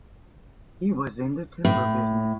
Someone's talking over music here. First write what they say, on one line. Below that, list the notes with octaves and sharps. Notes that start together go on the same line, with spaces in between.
He was in the timber business.
A2